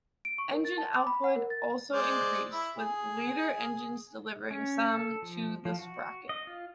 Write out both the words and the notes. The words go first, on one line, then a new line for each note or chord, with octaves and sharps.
Engine output also increased, with later engines delivering some to the sprocket.
D7
C#6
A#4
A6
A5
D6
B5
F#5
A#4
A6
G#3 C5 D5
E4 E5
G#4
C#4
A4
F3
F3
F#4
D#5
F4